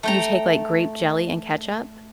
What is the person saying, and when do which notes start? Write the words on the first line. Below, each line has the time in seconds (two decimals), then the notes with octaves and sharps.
you take, like, grape jelly and ketchup
0.03 A3 G5 A#5